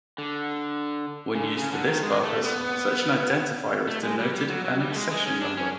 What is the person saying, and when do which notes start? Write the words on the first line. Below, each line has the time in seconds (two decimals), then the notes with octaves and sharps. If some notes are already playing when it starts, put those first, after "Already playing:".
When used for this purpose, such an identifier is denoted an accession number.
0.18 D3
1.35 C#3
1.42 D3
1.57 C#3
1.72 D3
1.88 D#3
2.03 G#3
2.24 A3
2.44 B3
3.87 A3
4.03 G#3
4.19 G3
4.34 G3
4.50 F#3
4.65 F#3
4.80 G3
4.91 A3
4.96 G#3
5.11 G#3
5.26 C#4
5.42 D4
5.57 C#4